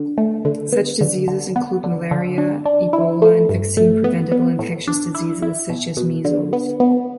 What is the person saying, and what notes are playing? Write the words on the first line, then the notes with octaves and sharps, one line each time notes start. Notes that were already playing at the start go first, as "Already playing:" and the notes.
Such diseases include malaria, Ebola and vaccine-preventable infectious diseases such as measles.
Already playing: D3
A3
D3
B3
D3
D3
B3
D3
D3
D4
D4
E4
A3
G2
A3
B3
B3
A2
D4
E4
E4
B2
B2
D3
B3
B3